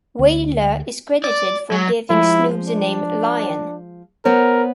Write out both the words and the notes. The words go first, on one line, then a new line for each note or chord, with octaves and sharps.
Wailer is credited for giving Snoop the name "Lion".
D2
D5
F#3
F3 G#3 E4
D4
B3 A#4 C5 C#5